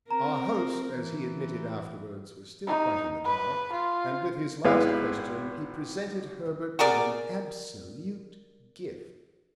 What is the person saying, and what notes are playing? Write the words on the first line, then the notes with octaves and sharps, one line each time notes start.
Our host, as he admitted afterwards, was still quite in the dark, and with his last question he presented Herbert with an absolute gift.
C4 A#4 A#5
E3
D#4
B4
F4
G#1 G#3 B3 E4 B4 F5
F#4 G#4 A#4 D5